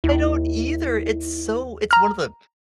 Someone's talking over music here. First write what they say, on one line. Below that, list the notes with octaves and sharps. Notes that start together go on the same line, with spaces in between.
I don't either. It's so it's one of the
D#2 E4
A#5 F6